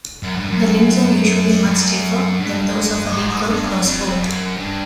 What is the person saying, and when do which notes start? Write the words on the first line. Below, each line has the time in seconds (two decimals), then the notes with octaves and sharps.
The limbs are usually much stiffer than those of a recurve crossbow.
0.23 F#2
0.36 G2
0.50 F#2
1.67 F#2
2.40 G2
3.12 G#2
3.48 G2
3.84 F2
4.20 F#2
4.57 G2